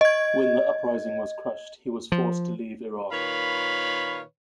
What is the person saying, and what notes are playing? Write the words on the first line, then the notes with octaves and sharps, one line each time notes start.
When the uprising was crushed he was forced to leave Iraq.
D#5 G#6
F3
A#2 D#3 B4 C#5 F5 B5